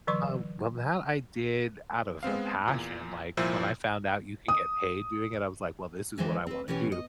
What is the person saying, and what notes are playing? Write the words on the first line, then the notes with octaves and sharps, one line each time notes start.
Um, well, now I did out of a passion, like, when I found out you can get paid doing it I was like, "Well, this is what I wanna do,"
D3 E3 F#3 C6 C#6
G#3 B3 C4 F5
E2 A#2
C2 A#2 F3 E4 C5 E6
D#6
D3 E3 G#3 C4 B4 C5
C4 B4
B2 E3 C#4 G4 C#5
D#5